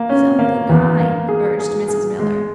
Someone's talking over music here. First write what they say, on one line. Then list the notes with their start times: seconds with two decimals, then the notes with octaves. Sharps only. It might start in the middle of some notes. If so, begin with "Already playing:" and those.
"He's only nine," urged Mrs. Miller.
Already playing: A#3
0.09 C#4
0.39 A#3
0.69 E2
1.00 A#3
1.28 G#4
1.59 G#4
1.88 G#4
2.19 G#3